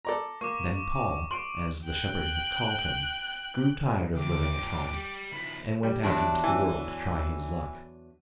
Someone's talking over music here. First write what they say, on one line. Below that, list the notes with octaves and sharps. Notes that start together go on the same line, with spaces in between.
Then Paul, as the shepherd had called him, grew tired of living at home, and went out into the world to try his luck.
A4 D5 A#5
A#3 C#6 D6
C6 D7 F#7
G5 F#6
D2 G5 D6
G2 F3
G3
D#3 F3 B5
G3
E2 F#3 D4
E3